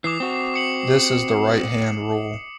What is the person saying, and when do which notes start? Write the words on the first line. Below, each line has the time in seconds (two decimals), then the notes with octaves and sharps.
This is the right-hand rule.
0.04 E3 D6 D#6 C7
0.20 C4 F#4
0.54 D6 C#7 F#7